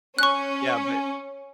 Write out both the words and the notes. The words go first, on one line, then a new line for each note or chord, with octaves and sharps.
yeah, but
C#4 C#6 F#6